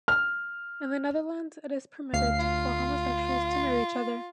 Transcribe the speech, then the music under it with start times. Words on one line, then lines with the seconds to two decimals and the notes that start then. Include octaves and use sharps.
In the Netherlands it is permitted for homosexuals to marry each other.
0.08 F6
2.13 D2 F5 C7
2.39 F4